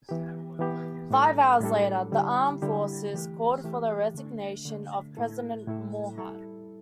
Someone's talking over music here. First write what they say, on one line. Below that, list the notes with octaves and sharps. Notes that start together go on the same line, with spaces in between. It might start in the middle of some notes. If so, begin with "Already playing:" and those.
Five hours later, the armed forces called for the resignation of President Mahuad.
E3 B3 G4
E3 B3 G4
A2 G3 D4 A4
A2 G3 D4 A4
D3 G3 E4 G4
D3 G3 E4 G4
E3 A3 G4
E3 A3 G4
D3 A3 D4
D3 A3 D4
A2 A3 E4 A4
A2 A3 E4 A4
G3 E4 A4